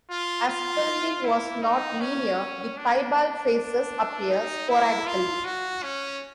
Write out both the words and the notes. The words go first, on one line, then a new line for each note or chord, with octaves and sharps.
As filming was not linear, the piebald faces appear sporadically.
F4
F4
E4
D#4
C#4
D4
D4
D#4
E4
F4
F#4
C#4